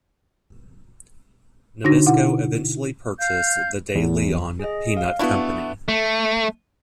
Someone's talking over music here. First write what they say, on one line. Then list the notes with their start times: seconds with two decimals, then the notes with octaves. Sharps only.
Nabisco eventually purchased the De Leon Peanut Company.
1.85 D3 D4 D#4 F#4 A#6
2.06 B2 E4 F#5
3.20 F5 G6
3.95 E2
4.59 G#4 D#5
4.97 F5
5.19 A3 B3 D4 E4 F#4 C#6
5.88 A3